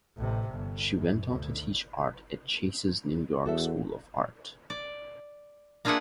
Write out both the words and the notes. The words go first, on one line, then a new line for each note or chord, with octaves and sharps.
She went on to teach art at Chase's New York School of Art.
A1 C3
G1
F#2
D2
E2 F#4 A4 E5
D5
A#3 D4 F4 G#4 E5 F#5